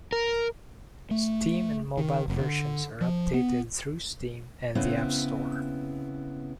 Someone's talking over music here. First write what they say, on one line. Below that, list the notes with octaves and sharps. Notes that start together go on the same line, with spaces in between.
Steam and mobile versions are updated through Steam and the App Store.
A#4
A3
D#3
F1
D3
F3
B3
C#3 B3 C4 E4